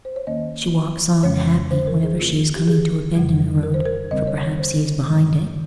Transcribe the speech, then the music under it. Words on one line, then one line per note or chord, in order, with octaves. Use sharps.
She walks on, happy whenever she is coming to a bend in the road, for perhaps he is behind it.
C5
C#5
D#2 D#3 A#3 C#4 D#5
F2 C#3 G#3 C#4 C#5
C5
A#4
G#4
C#3 F3 A#3 C#4 F4
G4
G#4
F2 C#3 G3
A#4
C5
A#4
D#2 C#3 G3 C4 D#5
C#5
C#5
C5
G2 F3 G#3